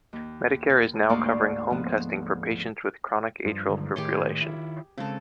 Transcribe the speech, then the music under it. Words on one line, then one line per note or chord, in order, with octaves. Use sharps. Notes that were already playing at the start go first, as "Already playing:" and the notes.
Medicare is now covering home testing for patients with chronic atrial fibrillation.
D#2
D2 G#2 A#3 D5 F5 C#6
F3 B3
G2 F3
D3 D#3 G#3
A2 D#3 G4 G#4 C#5 C6
E4 F4
C#3 G#3 C4 A4